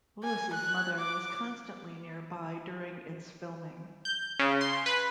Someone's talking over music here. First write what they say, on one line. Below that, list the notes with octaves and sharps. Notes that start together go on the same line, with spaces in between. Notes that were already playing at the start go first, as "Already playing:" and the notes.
Lewis' mother was constantly nearby during its filming.
G#5
F#6
D6
G6
C#3
C6
B4